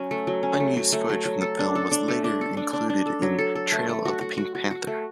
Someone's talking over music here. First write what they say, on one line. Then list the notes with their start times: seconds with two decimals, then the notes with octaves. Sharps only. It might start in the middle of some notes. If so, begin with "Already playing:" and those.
Unused footage from the film was later included in "Trail of the Pink Panther".
Already playing: F#3 C#4
0.11 A3
0.27 F#3
0.43 C#4
0.60 A3
0.77 F#3
0.92 A3
1.09 F#3
1.25 F#3
1.41 A4
1.59 D4
1.75 A4
1.91 D4
2.08 A3
2.24 D4
2.41 A4
2.57 D4
2.73 D4
2.90 D4
3.06 A4
3.22 F#3
3.38 A4
3.55 A4
3.72 A3
3.89 A3
4.05 F#4
4.21 F#4
4.37 F#4
4.55 F#4
4.71 F#4
4.87 A3